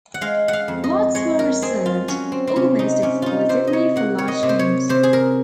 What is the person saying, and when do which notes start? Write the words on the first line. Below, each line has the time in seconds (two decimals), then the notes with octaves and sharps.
Lots were reserved, almost exclusively for large homes.
0.14 F#5
0.21 G#3 F5
0.48 F#5
0.53 F5
0.68 F2
0.84 D#5
1.15 G#3 C#5
1.39 A#4
1.62 C4 G#4
1.86 F4
2.08 F#3 C#4
2.32 C4
2.47 C4
2.56 C3 C#4
2.79 D#4
3.02 C3 C#4
3.22 D#4 F4
3.49 C3 C5
3.67 D#5
3.73 C#5
3.96 A#3 F#5
4.18 C#5
4.28 D#5
4.43 C3
4.49 C5
4.59 C#5
4.89 C3 C5
5.03 G#4
5.13 A#4